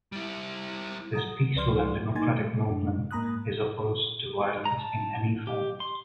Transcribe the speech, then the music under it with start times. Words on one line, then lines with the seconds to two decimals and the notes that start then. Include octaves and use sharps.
This peaceful and democratic movement is opposed to violence in any form.
0.12 G3 E4
1.14 F#5 A#5 D#6
1.55 C#2 F3 B4 D5 C6 F6
2.15 A#3 D#4 G#5 C6 G#6 A6
2.35 G#3 A3
2.68 F#2 D4
3.11 G#2 A#3 A#5 B5 D#6 F#6
4.65 A#5
4.79 A5
5.47 G4
5.80 C6